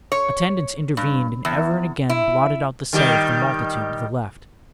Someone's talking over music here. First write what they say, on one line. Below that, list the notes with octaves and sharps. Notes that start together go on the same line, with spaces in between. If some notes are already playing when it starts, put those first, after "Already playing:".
Attendants intervened, and ever and again blotted out the sight of the multitude to the left.
C#5
G2
E2
E4
D#3 G3 G4